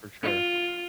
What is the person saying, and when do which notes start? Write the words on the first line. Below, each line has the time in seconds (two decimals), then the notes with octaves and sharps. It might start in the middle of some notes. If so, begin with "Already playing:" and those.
For sure.
0.23 F4